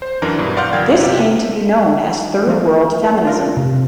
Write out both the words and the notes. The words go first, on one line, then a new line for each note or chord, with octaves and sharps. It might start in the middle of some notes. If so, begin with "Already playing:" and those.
This came to be known as Third World feminism.
C5
F#2 E3 D4 A#4
G2 B2 E3
D5 F5 F#5 C6 F6 G6
G1 F#3 A#4 F5 G5 G#6
C3 G4
F3 A3 A#3
D4 F4 A#4
C3